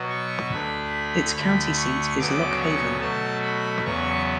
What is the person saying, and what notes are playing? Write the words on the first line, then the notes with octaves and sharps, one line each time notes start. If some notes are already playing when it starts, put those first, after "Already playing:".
Its county seat is Lock Haven.
Already playing: B2 F#3 B3
C#6
D2 D3 A3 B5
D2 D3 A3 B5
C#6
D2 C#3 F#3 B3 D6
C#6
B2 F#3 A3 A5
B5
E2 C#3 F#3 B3 C#6